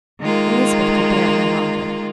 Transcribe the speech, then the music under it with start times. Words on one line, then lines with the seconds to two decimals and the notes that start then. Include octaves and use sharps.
Elizabeth could bear it no longer.
0.20 D#3 G#3 A#3 F4